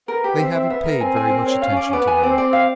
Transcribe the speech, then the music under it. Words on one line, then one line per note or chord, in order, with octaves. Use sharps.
They haven't paid very much attention to me.
B3 A#4
G4
C4 E5
E5
B3 E5
A#4
C4 G#5
G#5
A#4
C#5
C#4 F5
D5
B3 D5
G#5
C4 D5
D5
F5